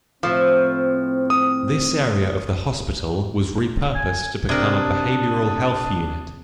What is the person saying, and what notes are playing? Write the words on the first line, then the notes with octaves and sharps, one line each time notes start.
This area of the hospital was re-purposed to become a Behavioral Health Unit.
A2 F3 C4 C5 E5
D#6
G#5
C3 D4 A#4 A5 D#6 G#6